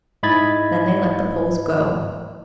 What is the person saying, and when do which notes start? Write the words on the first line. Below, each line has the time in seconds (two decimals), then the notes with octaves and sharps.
Then they let the Poles go.
0.23 G#2 E4 D#5 B5 G#6 A6